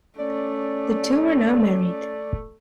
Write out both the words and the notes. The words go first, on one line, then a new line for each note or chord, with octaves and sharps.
The two are now married.
A3 C#4 D5